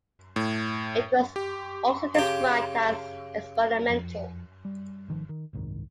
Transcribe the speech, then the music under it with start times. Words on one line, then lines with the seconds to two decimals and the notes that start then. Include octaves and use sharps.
It was also described as experimental.
0.36 A2
1.36 G4
2.15 C#3 G4
3.89 F2
4.65 G3
5.08 G#1 D#3 F3
5.29 D#3
5.53 F#1 C2 G#2 D#3